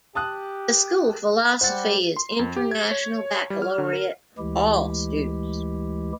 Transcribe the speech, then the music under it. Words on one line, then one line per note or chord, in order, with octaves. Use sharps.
The school philosophy is International Baccalaureate for all students.
G4 A5 D#6 F#6
G3 C5 F#5 A6
C6
F2
G4
G#6
C#5
G3
F6
D3
A#4
D2 E3 G#3 E4 G4